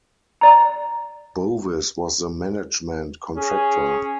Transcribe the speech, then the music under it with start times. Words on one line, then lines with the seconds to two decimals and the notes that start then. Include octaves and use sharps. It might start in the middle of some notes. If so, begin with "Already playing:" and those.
Bovis was the management contractor.
0.41 D5 A#5
3.38 C#4 G#4